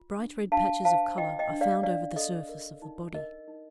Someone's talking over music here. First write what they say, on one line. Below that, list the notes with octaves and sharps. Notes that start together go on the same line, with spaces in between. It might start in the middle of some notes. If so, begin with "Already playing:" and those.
Bright red patches of colour are found over the surface of the body.
Already playing: F4
D4
D4 F5 A5
C5 F5 A5
F4 D#5 G5
D#5 G5
D4
D5 F5
D4 D5 F5
A4 D#5
A#4
D#4
A#4 D#5
D#4